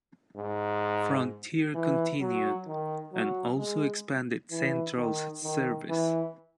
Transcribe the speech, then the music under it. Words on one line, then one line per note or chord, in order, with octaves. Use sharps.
Frontier continued and also expanded Central's service.
G#2
E3
F#3
D#3
F#3
G#3
E3
D#3
D#3
E3